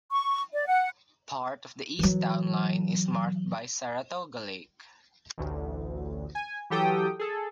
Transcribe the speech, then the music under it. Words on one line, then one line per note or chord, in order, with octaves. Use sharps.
Part of the east town line is marked by Saratoga Lake.
C#6
D5
F#5
E3 F#3
A1 D2
G#5
E3 F#3 G4 A4 G5 D#6
G#4 A4